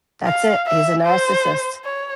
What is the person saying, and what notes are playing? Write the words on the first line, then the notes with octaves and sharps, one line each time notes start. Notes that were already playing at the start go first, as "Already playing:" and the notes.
That's it, he's a narcissist.
F5
E5
C5
C#5